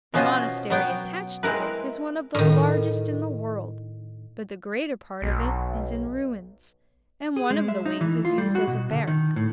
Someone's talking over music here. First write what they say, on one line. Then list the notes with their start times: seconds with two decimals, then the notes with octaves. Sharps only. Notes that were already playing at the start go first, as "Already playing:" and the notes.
The monastery attached to it is one of the largest in the world, but the greater part of it is in ruins, and one of the wings is used as a barrack.
0.14 B2 B3 C#4 F4 C5 D#5
0.70 F#3 B3 G5
1.43 G#3 C4 E4 A#4 B4
2.35 A2 D#3
5.22 B1
7.36 G#4
7.50 G#3
7.68 E5
7.86 D#4
8.01 E3
8.25 F4
8.38 G3
8.55 F#4
8.67 B2
8.91 D3
9.07 D#3
9.36 A2